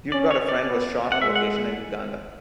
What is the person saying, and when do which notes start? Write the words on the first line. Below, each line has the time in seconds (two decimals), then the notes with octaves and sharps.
"You've Got a Friend" was shot on location in Uganda.
0.12 C#4 D5
0.31 C#5
0.49 D5
0.67 B3
1.12 F#5
1.22 G#3 E5
1.36 F#5